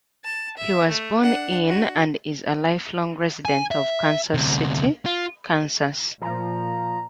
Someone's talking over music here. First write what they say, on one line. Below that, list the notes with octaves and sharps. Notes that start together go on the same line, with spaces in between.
He was born in, and is a lifelong resident of, Kansas City, Kansas.
A5
E5
A3
D4 F#5
F#4
G#5
E5
D2 C3
F4
A#2 F3 A#5